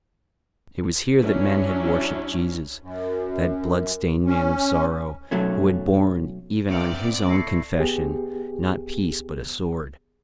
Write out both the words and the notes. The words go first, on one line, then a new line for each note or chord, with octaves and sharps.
It was here that men had worshipped Jesus, that blood-stained Man of Sorrow, who had borne, even on His own confession, not peace but a sword.
F#3 C#4 D4 E4
F#2
C#4
B1 F#3 A3 C#4
B3 C4 A#4 D5 E5 G5 C#7 F7
A3 E4 A4 A#6 C7 C#7
B3 G4 G#4